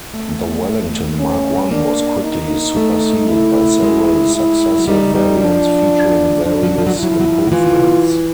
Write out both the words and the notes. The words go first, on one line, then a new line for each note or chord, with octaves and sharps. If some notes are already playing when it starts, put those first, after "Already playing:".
The Wellington Mark One was quickly superseded by several successive variants featuring various improvements.
A3
C#4
A#3 D4
D#4
A3
E4
G#3
E4
F#3
G3 D#4
G3
F#3
F3 D4
F3 D4
F#3
F3
F#3
F3
F#3
F3
F#3 E4
F3
F#3
F3
D#3
E3 F4